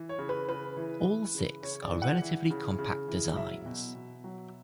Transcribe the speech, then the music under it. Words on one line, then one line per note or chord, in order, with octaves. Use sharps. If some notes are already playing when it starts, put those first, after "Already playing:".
All six are relatively compact designs.
Already playing: E3
C#5
C#3
B4
C#3 B4
E3
E3
C#3
C#3 C#5
D5
E3
F#5
E3
C#3
C#3
E3
F#3 E5
B2
B2
F#3